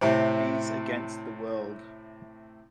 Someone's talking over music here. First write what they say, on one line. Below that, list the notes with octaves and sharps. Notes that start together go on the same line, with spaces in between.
He's against the world.
A2 C3 C4